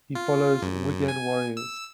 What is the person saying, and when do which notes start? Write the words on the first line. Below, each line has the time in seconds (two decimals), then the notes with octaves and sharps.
He follows Wigan Warriors.
0.15 F4
0.62 F#2
1.08 G#5
1.57 E6